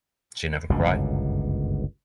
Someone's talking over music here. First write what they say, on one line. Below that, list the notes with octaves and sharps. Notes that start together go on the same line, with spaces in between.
She never cried.
G1 C#2 F#2 B2